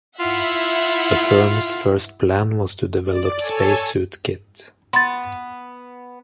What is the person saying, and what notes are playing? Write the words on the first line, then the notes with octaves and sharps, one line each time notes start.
The firm's first plan was to develop spacesuit kit.
E4 F4 E5 F#5
D5
A4 C#5 G#5 A5
B3 C6 A6